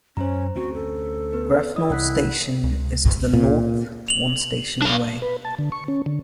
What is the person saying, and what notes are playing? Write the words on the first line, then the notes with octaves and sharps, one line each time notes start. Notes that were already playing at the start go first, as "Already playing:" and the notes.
Grafenort station is to the north, one station away.
F#2 C#4 C5 A#5
D2 C4 C#4 F#4
A4
B3 B4
E4 D#5 D#6
C2 F#5 F#6 B6
C#2
A#2
F7 F#7
D4 F5
B4
A5
D3
C#6
C#4
D3